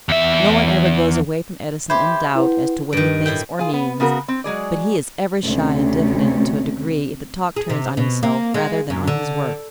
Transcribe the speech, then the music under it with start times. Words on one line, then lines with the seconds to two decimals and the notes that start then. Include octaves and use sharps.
No one ever goes away from Edison in doubt as to what he thinks or means, but he is ever shy and diffident to a degree if the talk turns on himself rather than on his work.
0.09 E2 E5
1.90 G4 C5 E5 B5 G#6
2.35 E4 B4 F#5
2.93 G2 D#3 D7
3.26 A2 E4 G5
3.59 F4 G#4
3.73 B3
4.00 C#3 B3 F#4 A#4
4.28 C4
4.44 F#3 G#3 G#4 D5
5.44 D2 C3 C#4
7.56 G#4
7.70 C3
7.97 B2
8.23 A#3
8.54 G#3
8.90 F#2
9.07 D3